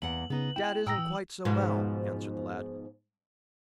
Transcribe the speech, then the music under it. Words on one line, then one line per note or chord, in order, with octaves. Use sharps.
"Dad isn't quite so well," answered the lad.
E2 A#3 F#5 F#7
C#3 B3 D#4
E4 G5 E7
A2 G5 A#5 D#6 E6 A#6
E3
G#2 B2 F3